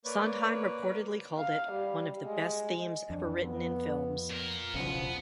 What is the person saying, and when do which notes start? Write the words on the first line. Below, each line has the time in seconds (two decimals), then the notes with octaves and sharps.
Sondheim reportedly called it "one of the best themes ever written in films".
0.05 A#3 B4 C#5 D5
1.38 F5
1.71 G3
2.26 G#3
3.10 F2 D4
3.44 B3
4.30 A#2 A#4
4.74 E1 B1 C#3 F3 B3